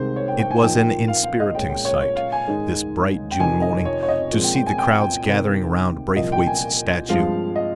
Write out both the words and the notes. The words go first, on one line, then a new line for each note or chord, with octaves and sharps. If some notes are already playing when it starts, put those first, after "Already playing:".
It was an inspiriting sight, this bright June morning, to see the crowds gathering round Braithwaite's statue.
Already playing: C2 C3 D#3 G#3 C4 C5
C#5
G5
G5
G#5
A#2 F3 A#3 D#4 G5
G5
F5
F5
D#5
A#2 G#3 C#4 F4 G5
G5
C#5
C#5
F5
G#5
G#2 D#3 G#3 D#4
G5
F2 C3 D#3 G#5
D#5
C#5
C#5
D#5
A#2 F3 G#3 C4
G5
G5
G#5
G5
G5
C3 D#3 A#3 D#4
C2 A#2 F3 A#3 D#5
G5
G#5
G2 F3 G#3 C4 F5
D#5